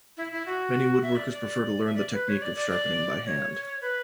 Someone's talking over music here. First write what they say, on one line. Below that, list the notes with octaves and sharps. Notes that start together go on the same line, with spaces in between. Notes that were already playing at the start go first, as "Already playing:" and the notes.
Many woodworkers prefer to learn the technique of sharpening by hand.
E4
E4
F#4
E5
D5
D5
E5
D5
B4
C#5
D5
D5
D5
C#5
B4